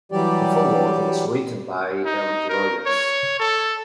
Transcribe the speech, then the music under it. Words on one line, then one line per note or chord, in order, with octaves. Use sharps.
The foreword was written by Everett Rogers.
E3 F#3 G3 G4 D5
D#4
A#4
C#5
A4